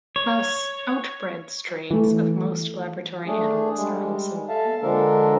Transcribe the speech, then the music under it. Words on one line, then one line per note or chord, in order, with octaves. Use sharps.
Thus outbred strains of most laboratory animals are also available.
C#5
E3 A3
A3 D4 G#4
G3 G#3
A4 E5 F5 A5
D3 F3 G#3 D4 A4 A#4